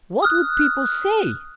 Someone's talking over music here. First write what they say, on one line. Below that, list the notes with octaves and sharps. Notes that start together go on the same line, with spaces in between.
What would people say?
D#6 F6 F#6